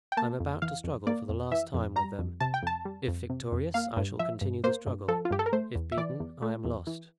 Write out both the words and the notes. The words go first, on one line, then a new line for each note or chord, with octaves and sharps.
I am about to struggle for the last time with them. If victorious, I shall continue the struggle; if beaten, I am lost.
G5
A#3 A5
F2
E3 F5
F2
A#3 D5
F2
E3 E5
F2
G3 A#5
F2
C3 A5
G5
F2 A5
G3
F2
C3
F2
A#3 F5
G2
F3 E5
G2
A#3 C5
G2
F3 A4
F4
G2 G4
A4
A#4
A3 C5
E2
E5
E3 D5
E2
A3
E2
E3